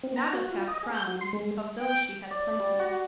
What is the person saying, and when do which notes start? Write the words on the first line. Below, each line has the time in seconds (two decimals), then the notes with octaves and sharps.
Not of half-crowns; of those she had plenty.
0.03 C4
0.16 A#5
0.33 F#4
0.52 F4
0.68 D#5
0.83 G#4
0.94 G6
1.08 F#4
1.21 C6
1.33 G#3
1.79 G5
2.31 D5
2.60 G3
2.79 F#4